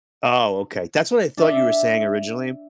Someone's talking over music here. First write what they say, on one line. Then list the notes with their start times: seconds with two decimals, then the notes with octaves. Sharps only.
Oh, okay. That's what I thought you were saying originally.
1.37 D4 E5